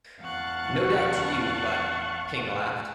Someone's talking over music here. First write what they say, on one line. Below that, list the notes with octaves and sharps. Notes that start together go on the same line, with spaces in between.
"No doubt, to you, but — " King laughed.
E2 F5 F#5 A5 C#6 F#6